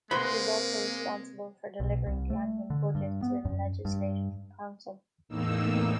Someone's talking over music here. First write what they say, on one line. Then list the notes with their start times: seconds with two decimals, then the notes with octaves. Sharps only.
He is also responsible for delivering the annual budget to the Legislative Council.
0.11 C3 G#3 A#3 F#4 B4 C5 B5
1.80 B1
2.06 C2
2.30 A3
2.70 D3
2.95 G2
3.23 B3
3.45 F#2
3.85 G2
5.29 E2 A2 A#3 D#4 E6